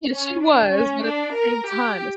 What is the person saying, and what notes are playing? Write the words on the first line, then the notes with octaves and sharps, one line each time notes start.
Yes, she was, but at the same time, it's
C#4
D4
C#4
D4
A#4
G4